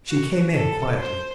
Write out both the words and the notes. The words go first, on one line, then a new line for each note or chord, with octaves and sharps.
She came in quietly.
F#4
A4
C5